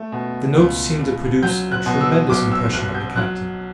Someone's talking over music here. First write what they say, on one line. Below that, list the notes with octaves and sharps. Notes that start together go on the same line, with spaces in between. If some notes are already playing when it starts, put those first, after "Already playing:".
The notes seemed to produce a tremendous impression on the captain.
Already playing: A3
B2
C#2
C#2
F#3 G6
F#6
B2
E6
B1 D6
E6
B1 F#6
G6
F#3 F#6